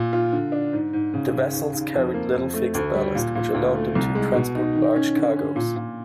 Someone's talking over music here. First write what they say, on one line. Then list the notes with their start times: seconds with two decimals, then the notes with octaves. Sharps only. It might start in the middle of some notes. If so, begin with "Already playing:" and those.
The vessels carried little fixed ballast, which allowed them to transport large cargoes.
Already playing: A#2
0.13 F4
0.32 D3
0.52 D4
0.73 G#2
0.93 G#2
1.14 C#3
1.33 C#3
1.53 D#2
1.73 D#2
1.94 F2
2.14 A#3
2.34 F2
2.53 A3
2.75 D2
2.95 G3
3.15 A#2
3.35 A#2
3.54 D2
3.75 A3
3.95 C2
4.15 G#3
4.35 B2
4.55 D#4
4.75 D#3
4.96 C#4
5.16 D3
5.36 C#4
5.56 A#2
5.76 A#2